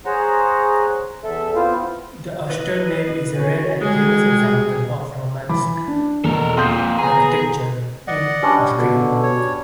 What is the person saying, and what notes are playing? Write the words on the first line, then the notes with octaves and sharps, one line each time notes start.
The austere nave is a rare, and famous, example of Romanesque architecture in Austria.
G#4 C5 C#5 F#5 A#5
E2 A4 E5
B3 C4 E4 F4 C5 F5
E4 B4 D#5
C#4 F#4
G3 G#3 G#4
E3 B5 D6
D4
E2 B2 A4 A#4
F2 A#2 C6 D#6 G6
B3 G#4 A#5
D5 D#5 F#5
G3 C#4 D4
B2 D3
C#5